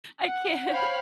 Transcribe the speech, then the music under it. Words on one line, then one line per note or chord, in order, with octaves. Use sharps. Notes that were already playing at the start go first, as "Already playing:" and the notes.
I can't.
F#5
C5 C#5 F5 G5 B5